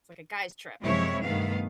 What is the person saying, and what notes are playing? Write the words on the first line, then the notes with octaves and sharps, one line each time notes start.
It's like a guys' trip.
F#2 C3 F3 G#3 E4 C#5
G2 D#3 A3 B3 F5